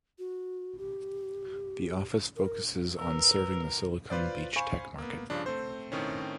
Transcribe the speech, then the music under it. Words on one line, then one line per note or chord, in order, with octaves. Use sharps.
The office focuses on serving the Silicon Beach tech market.
F#4
G4
A#4
A#4 B4 E6
F4 B4 C5 D5
C5 F5 G#5 B5 C#6
A#3 B3
G2 C#3 F3 D4
A3 C4 C5
A2 D#3 C4 C#4